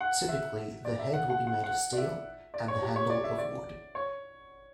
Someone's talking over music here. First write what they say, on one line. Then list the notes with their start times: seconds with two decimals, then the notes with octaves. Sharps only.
Typically the head will be made of steel and the handle of wood.
0.01 F#5
0.29 E5
0.85 D5
0.99 E5
1.13 F#5
1.30 F#5
1.47 F#5
1.64 F#5
1.93 D5
1.98 E5
2.54 D5
2.68 C#5
2.82 G4
2.96 C#5
3.10 D5
3.24 E5
3.38 D5
3.95 C#5